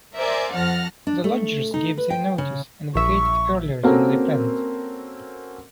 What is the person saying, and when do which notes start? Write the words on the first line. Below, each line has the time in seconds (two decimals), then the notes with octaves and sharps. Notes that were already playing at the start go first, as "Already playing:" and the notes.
The lodgers gave their notice and vacated earlier than they planned.
0.16 A#4 C5 D5 E5 G#5 C6
0.53 F2 F#5 A5 F6 A#6
1.07 D4
1.24 A3
1.74 D#4
1.97 B4
2.10 G5
2.38 C#3
2.95 A#1 E5 C#6
3.83 A#3 C4 C#4 F#4 A4 A#4